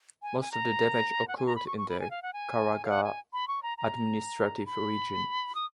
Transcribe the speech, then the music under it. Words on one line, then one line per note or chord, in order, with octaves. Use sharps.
Most of the damage occurred in the Caraga Administrative Region.
G#5
G#5
A#5
F#5
G#5
A#5
B5
C#6
C#6
B5
G#5
F5
F#5
G#5
F5
F#5
G#5
B5
C#6
A#5
A#5
B5
D#6